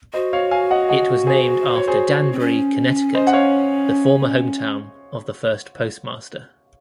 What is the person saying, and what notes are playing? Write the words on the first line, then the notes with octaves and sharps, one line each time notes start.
It was named after Danbury, Connecticut, the former hometown of the first postmaster.
F#4 C5 D#5
C#5 F5
F5 G#5
D#5 F#5
D#5 F#5
G#4 C5
C5
C#5
G#4 C5
C4
C#4
C5 D#5
F#5
C#5 F5